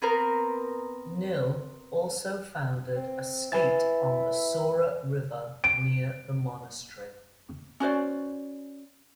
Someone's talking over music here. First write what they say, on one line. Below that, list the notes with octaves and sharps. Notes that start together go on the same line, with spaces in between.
Nil also founded a skete on the Sora River near the monastery.
B3 C4 A#4
C4
E4 B4 G#5 A6
D7
C#4 F#4 C5 D5